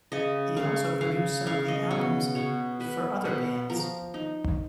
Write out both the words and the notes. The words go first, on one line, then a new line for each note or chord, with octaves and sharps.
He also produced some of the albums for other bands.
C#3 D#5
C#3 F5
C#3 F5
C#3 F5
D#5
B2 C#5
B2 C#5
B2 B4
B2 B4
F3 A#4
D#4